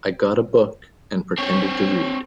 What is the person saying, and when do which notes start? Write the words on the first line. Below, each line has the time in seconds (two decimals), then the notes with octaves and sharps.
I got a book, and pretended to read.
1.38 C4 C#5